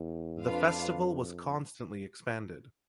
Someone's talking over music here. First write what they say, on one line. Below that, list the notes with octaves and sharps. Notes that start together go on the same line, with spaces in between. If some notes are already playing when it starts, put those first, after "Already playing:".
The festival was constantly expanded.
Already playing: E2
F2 D4 F4 B4 F5